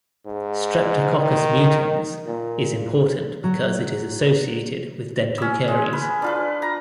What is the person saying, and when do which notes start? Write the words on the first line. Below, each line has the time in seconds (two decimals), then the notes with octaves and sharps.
"Streptococcus mutans" is important because it is associated with dental caries.
0.25 G#2
1.19 D#3
2.27 A#2
3.44 F#3
5.38 C#4 E6
5.68 G#3
5.93 B4
6.22 D4 F4 B4
6.62 A#5